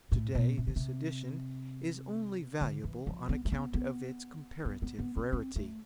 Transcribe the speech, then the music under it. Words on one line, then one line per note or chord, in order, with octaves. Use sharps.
To-day this edition is only valuable on account of its comparative rarity.
A2
B2
C3
D3
C3
D3
E3
F3
B3
A3
B3
B3
B3
B3
B3
C4
C4
A3